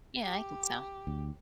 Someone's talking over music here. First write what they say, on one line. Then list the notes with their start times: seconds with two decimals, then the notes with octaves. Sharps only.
Yeah, I think so.
0.22 G4
1.07 D2